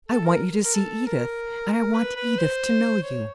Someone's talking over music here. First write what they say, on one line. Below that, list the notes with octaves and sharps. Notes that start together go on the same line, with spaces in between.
'I want you to see Edith; and I want Edith to know you.
A4
A#4
A#4
A4
A#4
A#4
B4
B4
C5
C#5